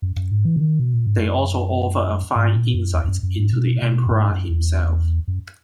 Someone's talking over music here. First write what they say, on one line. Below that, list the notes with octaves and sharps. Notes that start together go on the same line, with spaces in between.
They also offer a fine insight into the Emperor himself.
F#2
F#2
G#2
E3
C#3
D#3
B2
A#2
G#2
F#2
G#2
A#2
F#2
E2
E2
F#2
F#2
G#2
B2
B2
F#2
G#2
F#2
E2
F#2